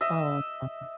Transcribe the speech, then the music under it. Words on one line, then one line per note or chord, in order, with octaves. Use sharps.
Oh. Uh-uh.
D#5 E5